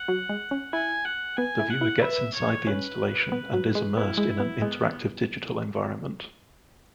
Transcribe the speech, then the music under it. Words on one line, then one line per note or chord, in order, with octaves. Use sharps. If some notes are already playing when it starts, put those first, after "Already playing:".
The viewer gets inside the installation and is immersed in an interactive digital environment.
Already playing: F#5
F#3
G#3
C#4
E4 G#5
F#5
B3 G#5
E4
F#5
E4
B4 E5
C#5
C#4 B4
B3
F#3
G#3
B3 E4
G#3
B3
G#3 B3